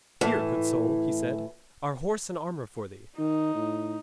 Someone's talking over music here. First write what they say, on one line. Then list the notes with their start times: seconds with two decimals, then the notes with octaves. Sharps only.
'Here, good soul,' he said, 'are horse and armour for thee.
0.21 A2 E3
3.18 D#3 D#4
3.55 A2